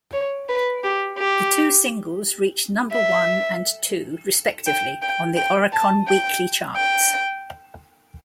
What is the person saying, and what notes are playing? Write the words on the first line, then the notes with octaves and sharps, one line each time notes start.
The two singles reached number one and two respectively on the Oricon Weekly Charts.
C#5
B4
G4
G4
E5
G5
G5
G5
A5
G5
G5